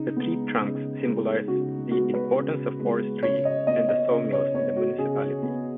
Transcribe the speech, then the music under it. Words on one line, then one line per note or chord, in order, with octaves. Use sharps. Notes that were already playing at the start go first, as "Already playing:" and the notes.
The tree trunks symbolise the importance of forestry and the sawmills in the municipality.
Already playing: C#3 D#4
G#3 B3
C#3
G#3 B3
C#3 F#4
G#3 B3 F#4
B4
C#3
G#3 B3
C#3 C#5
D#5
B3 D#5
D#5
C#3
C#5
B3 C#5
F#4
C#3 G#4
B3